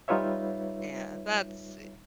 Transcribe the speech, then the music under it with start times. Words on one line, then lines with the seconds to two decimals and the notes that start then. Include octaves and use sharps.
Yeah, that's
0.08 G3 D#4 F4 B4 C#5 E5